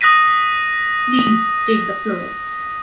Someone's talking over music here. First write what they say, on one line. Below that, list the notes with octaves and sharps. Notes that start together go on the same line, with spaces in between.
Please, take the floor.
D#6 F#6 A#6 B6 D#7